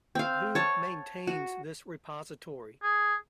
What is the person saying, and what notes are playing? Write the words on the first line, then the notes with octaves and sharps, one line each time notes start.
Who maintains this repository?
C4 F5
C#5 A5
F#4
G#4